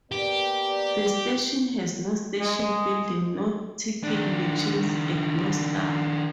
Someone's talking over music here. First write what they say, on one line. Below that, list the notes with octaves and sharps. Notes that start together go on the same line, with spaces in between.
The station has no station building, no ticket machines and no staff.
A#3 B3 G4 D5
G#3
D#3 D4